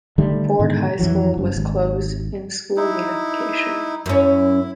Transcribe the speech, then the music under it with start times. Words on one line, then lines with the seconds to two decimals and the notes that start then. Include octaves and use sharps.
Ford High School was closed in school unification.
0.18 D3 D#3 G3 A3
0.59 G#2 B2 D3 D#3
0.99 F2 E3 F#3
1.37 F#1 G2
1.56 G#1
2.77 D#4 E4
4.06 F#2 C#4 E4